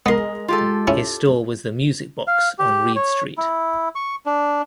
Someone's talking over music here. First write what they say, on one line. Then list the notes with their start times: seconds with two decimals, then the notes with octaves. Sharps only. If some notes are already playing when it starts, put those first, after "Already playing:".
His store was the Music Box on Reid Street.
0.06 G#3 B3 A#4 D#5 C6
0.48 F4 G4 A4
0.87 C#4 E4
2.27 F5
2.59 G4
2.96 C#5
3.38 E4
3.95 C#6
4.26 D4